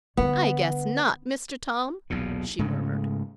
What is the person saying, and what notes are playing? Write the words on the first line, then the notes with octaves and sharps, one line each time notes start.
"I guess not, Mr. Tom!" she murmured.
D3 G3 B3
B1 E2 A#2
G#2 C#3 G#3 A3